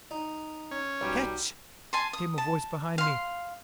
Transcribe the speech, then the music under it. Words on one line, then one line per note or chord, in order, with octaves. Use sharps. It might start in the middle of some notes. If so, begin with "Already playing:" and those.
"Catch!" came a voice behind me.
D#4
C#4
B1 G3
G#5 A5 C6
D#6
A5
F5 C6